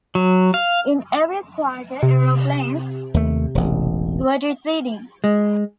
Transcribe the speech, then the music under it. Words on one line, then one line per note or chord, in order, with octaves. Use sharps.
In every quarter aeroplanes were receding.
F#3
F5
C3
D#2 A3
E1 A1
G#3